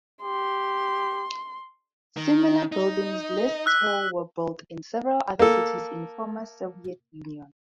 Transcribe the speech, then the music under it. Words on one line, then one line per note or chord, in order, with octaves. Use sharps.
Similar buildings less tall were built in several other cities in former Soviet Union.
G4 C6
D#3
D#4
E6 F#6 B6
A#3 A4